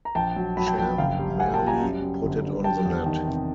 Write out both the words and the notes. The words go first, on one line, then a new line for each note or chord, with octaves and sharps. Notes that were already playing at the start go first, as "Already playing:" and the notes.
Chan merely put it on the net.
A#5
A#1 G5 A5
F#3
F#3 A5 B5
G5 A5
A#1 G5 A5
F#1 F5 G5
G3
G3 F#5 G#5
G5 A5
G3
G#5 A#5
F#2
F#2
G1
D3
G3 G5 A5
E2
D#3
C3